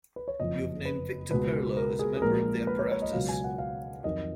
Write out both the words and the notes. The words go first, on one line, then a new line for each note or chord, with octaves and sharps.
You have named Victor Perlo as a member of the apparatus.
B4
C#5
F#1 F2 F3 D#5
B4
C#2 B2 G#3 B4
A#4
G#4
G#4
A#1 A#2 F3 G#3 A#4
B4
C#5
C#5
D#5
C#2 B2 F#3 F5
G#5
F#5
F5
F2 D#3 F#3 D#5